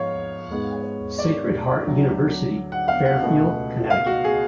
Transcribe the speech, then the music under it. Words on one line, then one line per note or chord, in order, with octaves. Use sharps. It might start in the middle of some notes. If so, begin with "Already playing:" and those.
Sacred Heart University, Fairfield, Connecticut.
Already playing: G#2 F3 B3 C#5 F5
G#2 G#3 B3
D5
D2 D3 F#3
F#5
F5
F#5
C#2 B2 A3
F5
F#4
G#4